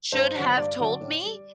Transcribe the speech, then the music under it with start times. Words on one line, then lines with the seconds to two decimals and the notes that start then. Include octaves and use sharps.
should have told me?"
0.12 G2 C5
0.35 D3 F#3
0.57 G2 D5
0.79 D3 F#3
1.01 A2
1.24 G3